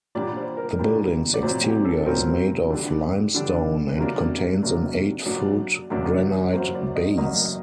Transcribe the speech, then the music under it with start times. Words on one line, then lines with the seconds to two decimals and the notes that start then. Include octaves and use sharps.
The building's exterior is made of limestone and contains an eight-foot granite base.
0.15 A#2 G3 D4 D5
0.37 C5
0.57 A#4
0.79 A#2 G3 D4
1.34 D5
1.42 A#2 F#3 C4 C5
1.64 G4
1.85 A4
2.06 A#2 F#3 C4 A#4
2.70 D3 G3 D4
3.34 D3 G3 D4
3.98 C3 F#3 A#3 D4
4.62 C3 F#3 A#3 D4
5.26 F#2 F#3 A#3 D4 D5
5.90 F#2 F#3 A#3 D4
6.53 F#2 F#3 A#3 C5
6.75 D5
6.96 D#5
7.18 F#2 F#3 A#3 D#5